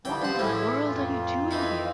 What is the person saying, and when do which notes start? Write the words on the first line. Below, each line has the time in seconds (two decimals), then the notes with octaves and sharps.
What in the world are you doing here?
0.05 D3 E3 F3 G3 G5
0.22 G2 F3 C5 F#5
0.39 A2 E3 G#3 C#4 E4
0.87 F2 F4
1.51 E3 D#4 E4